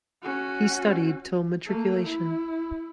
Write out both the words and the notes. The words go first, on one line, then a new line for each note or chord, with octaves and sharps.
He studied till matriculation.
C#4 F#4
A3 A#3
E4